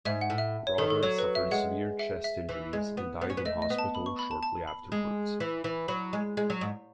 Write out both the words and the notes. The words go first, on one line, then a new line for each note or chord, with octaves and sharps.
Robert suffered severe chest injuries and died in hospital shortly afterwards.
G#2 E5
F#5
A2
E5
C#5
D#3 A4
A4
F#3 C#5
B4
E5
G#3 F#5
E5
E5
E3
G#3
B3
B3
C#4
B3
A3 D#5
D#5
B3
A5
B5
C#6
B5
A5
A5
B5
G#3
E3
E3
F#3 B5
G#3
G#3
F#3
G#2